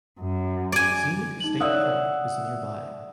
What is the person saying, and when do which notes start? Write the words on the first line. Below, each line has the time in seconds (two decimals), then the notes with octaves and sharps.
Scenic State Park is nearby.
0.20 F#2
0.72 D5 G#5
1.40 D#4 F#7
1.60 D5 E5 F#5 D#6